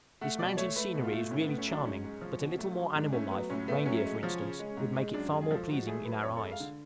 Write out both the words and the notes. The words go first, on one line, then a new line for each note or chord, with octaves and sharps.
This mountain scenery is really charming; but a little more animal life--reindeer, for instance--would make it far more pleasing in our eyes.
A3 F#5
B2 D5
A3 C#5
A3 B4
B2
F4
A3
A2 C#4
A3 B3
C#4
F#3
D4
G#2 C#4
G#3
F3
B2
A3
F#3
G#2 D4
A3 C#4
F#3 B3
A2 C#4
A3 B3
F#3 C#4
G#3
F3
C#3
G#3
G#2
G#3
F#2 D4
G#3
G#4
F3 A4
G#2 F#4
A3 G#4
F#3 B4
F2 C#5
A4
G#3
F5
D3